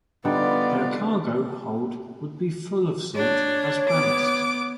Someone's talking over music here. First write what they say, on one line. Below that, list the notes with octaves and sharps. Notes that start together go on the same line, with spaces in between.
Her cargo hold would be full of salt as ballast.
D3 G3 B3 D#4 F4 D5
D4 C#5
B3 D6